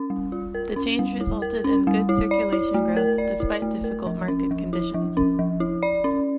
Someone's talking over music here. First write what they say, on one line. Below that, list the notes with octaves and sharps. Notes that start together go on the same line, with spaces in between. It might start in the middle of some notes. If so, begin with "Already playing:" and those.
The change resulted in good circulation growth, despite difficult market conditions.
Already playing: C#4
G3
F4
A#4
C#4
G3
E4
A#4
C#4
G3
E4
D5
E4
A3
A#4
D5
E4
A3
A#4
F3
C#4
F3
E4
F3
C#4
F3
E4
D5
C#4